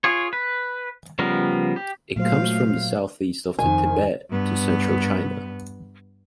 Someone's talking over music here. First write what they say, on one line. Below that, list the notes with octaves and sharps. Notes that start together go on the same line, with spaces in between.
It comes from the Southeast of the Tibet to central China.
F4 G#4 C#5
B4
C#3 F3 G3 B3 A#4
G4
A#2 F#3 A3 C5 F5
F2 D#3 G#5
G2 B3